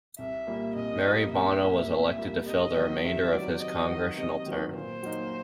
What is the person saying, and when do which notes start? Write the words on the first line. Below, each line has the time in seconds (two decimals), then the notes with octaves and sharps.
Mary Bono was elected to fill the remainder of his congressional term.
0.19 C2 E5
0.47 A#2 G3 A#3
0.76 C2 D#5
1.05 A#2 G3 A#3
1.32 C2 E5
1.61 A#2 G3 A#3
1.90 C2
2.18 A#2 G3 A#3
2.46 C3 D#5
2.75 D#3 F#3 B3
3.04 C3 E5
3.32 D#3 F#3 B3 D5
3.60 C3 D#5
3.89 D#3 F#3 B3
4.17 C3 D#5
4.46 D#3 F#3 B3
4.74 A#2 C5
5.03 F#3 A#3 D#4